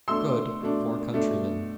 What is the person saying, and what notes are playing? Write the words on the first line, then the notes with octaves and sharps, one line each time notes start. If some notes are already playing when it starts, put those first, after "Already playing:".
Good for countrymen.
B2 A3 D4 C6 E6
B2 A3 D4
B2 A3 D4